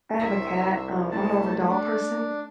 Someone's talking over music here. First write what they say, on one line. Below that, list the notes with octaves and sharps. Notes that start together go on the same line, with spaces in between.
I have a cat, um, I’m more of a dog person,
C2 C5 E5
A3 A5
D4